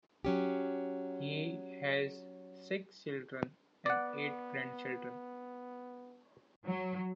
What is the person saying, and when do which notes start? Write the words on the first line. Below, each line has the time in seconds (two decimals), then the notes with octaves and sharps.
He has six children and eight grandchildren.
0.25 F#3 C#4 G4
3.86 B3 D5 F#5
6.66 F#3